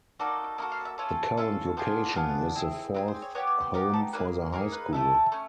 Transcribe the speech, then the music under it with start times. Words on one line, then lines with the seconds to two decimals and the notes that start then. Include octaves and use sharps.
The current location is the fourth home for the high school.
0.20 A#3 D#4 F#4 A4 D5
0.58 A#3 D#4 F#4 A4 D#5
0.72 F5
0.85 E5
0.98 C#4 F4 A4 E5
1.37 C#4 F4 A4 E5
1.77 B3 D4 F4 G#4 C5
2.16 B3 D4 F4 G#4
2.55 C4 E4 G#4
2.94 C4 E4 G#4 B4
3.08 C5
3.22 C#5
3.35 B3 D#4 G4 C#5
3.47 C#5
3.60 C5
3.74 B3 D#4 G4 A#4
3.94 A4
4.13 A#3 D#4 G#4 B4
4.53 A#3 D#4 G#4 A#4
4.72 B4
4.93 A3 C#4 E4 A4
5.32 A3 C#4